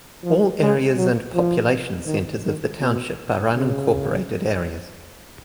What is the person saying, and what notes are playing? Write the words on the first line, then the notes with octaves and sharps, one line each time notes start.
All areas and population centers of the township are unincorporated areas.
F3
G#3
F#3
F3
D#3
D#3
B2
C#3